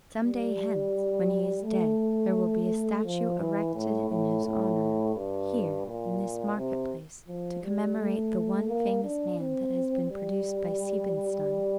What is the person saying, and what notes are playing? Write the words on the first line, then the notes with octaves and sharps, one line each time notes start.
Some day hence, when he is dead, there will be a statue erected in his honour here in this market-place, to commemorate the one famous man that has been produced by Siebenstein.
G3
A3
F3
E3
A2
A2
A2
G2
A#2
C3
F3
G3
A3
A#3
D4
C4
G3